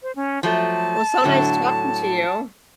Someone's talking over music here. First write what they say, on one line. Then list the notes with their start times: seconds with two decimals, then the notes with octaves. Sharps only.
Well, so nice talking to you.
0.03 C5
0.16 C#4
0.43 F3 F#3 A3 A5
1.24 A2 D3 F#3